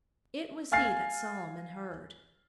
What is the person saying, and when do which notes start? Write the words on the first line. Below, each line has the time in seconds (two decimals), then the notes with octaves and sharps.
It was he that Solomon heard.
0.72 F5 G#5 F6 A6 C7